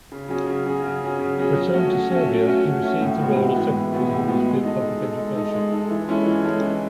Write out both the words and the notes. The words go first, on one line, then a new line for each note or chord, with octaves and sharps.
Returned to Serbia, he received the role of secretary of the Ministry of Public Education.
C#3
F#3 C#4 G#4
C#3
F#3 C#4 G#4
C#3
F#3 C#4 G#4
C#3
F#3 C#4 G#4
F#3
A3 C#4 F#4
F#3
A3 C#4 F#4
F#3
A3 C#4 F#4
F#3
A3 C#4 F#4
A2
E3 G#3 B3 F#4
A2
E3 G#3 B3 F#4
A2
E3 G#3 B3 F#4
A2
E3 G#3 B3 F#4
G#3
D#4 A4
G#3
D#4 A4
G#3
D#4 A4
G#3
D#4 A4
E3
G#3 C#4 E4 A4
E3
G#3 C#4 E4 A4
E3